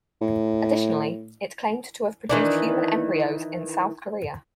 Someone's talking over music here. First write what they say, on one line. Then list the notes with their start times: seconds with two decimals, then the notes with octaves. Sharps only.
Additionally, it claimed to have produced human embryos in South Korea.
0.21 A2
2.29 D#3 E3 D4